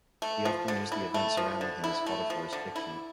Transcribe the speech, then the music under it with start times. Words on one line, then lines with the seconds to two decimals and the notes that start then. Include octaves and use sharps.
He often used the events surrounding him as fodder for his fiction.
0.22 A3
0.45 F3
0.68 D3
0.92 E4
1.14 A3
1.37 F3
1.61 D3
1.84 E4
2.06 A3
2.30 F3
2.53 D3
2.76 E4